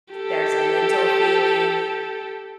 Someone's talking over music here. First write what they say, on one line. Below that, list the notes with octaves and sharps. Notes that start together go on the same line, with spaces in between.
There's a mental feeling.
G4 A4